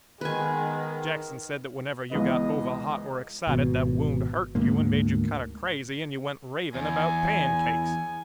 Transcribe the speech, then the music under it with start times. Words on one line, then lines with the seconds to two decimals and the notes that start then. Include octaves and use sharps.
Jackson said that whenever you got overhot or excited that wound hurt you and made you kind of crazy, and you went raving about pancakes.
0.21 D#3 G#3 B3 B4 G#5
2.11 C#2 E3 B3 D#5
3.47 G#1 B2
4.55 D2 G#2 A#3
6.74 E2 G#5